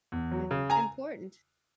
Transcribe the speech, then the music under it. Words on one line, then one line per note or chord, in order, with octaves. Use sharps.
It's important
E2
F#3
C#3
G#5 A#5